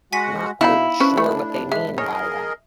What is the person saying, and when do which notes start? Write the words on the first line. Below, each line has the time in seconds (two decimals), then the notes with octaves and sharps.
I'm not quite sure what they mean by that.
0.13 G#3 F#4 F#5 G#5 B6
0.61 B2 B3 D#4 E4 F5 B5
1.00 C#4 D4 B4 C5
1.18 A3
1.72 G#3 E5
1.98 G#4 A#4 C#5 D#5